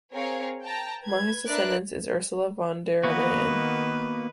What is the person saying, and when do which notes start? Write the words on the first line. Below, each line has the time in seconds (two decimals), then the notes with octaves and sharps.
Among his descendants is Ursula von der Leyen.
0.12 C4 G#4 A#4 C#5 F5
0.63 G5 A5 A#5
1.02 B4 G#6
1.48 D4 A#4 B4 D5 E5 F#6
3.03 D#3 A#3 B3 F#4 B4